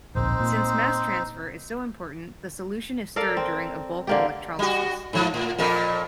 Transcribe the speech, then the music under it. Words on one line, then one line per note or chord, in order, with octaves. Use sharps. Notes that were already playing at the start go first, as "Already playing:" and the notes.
Since mass transfer is so important the solution is stirred during a bulk electrolysis.
D1 A#1 C4 D#4 C5
A#2
A4 A#4 D5 F5
C4
D3 A#3 G4
G3 F#4
G#2 F3
A2
F2 A#2 A#4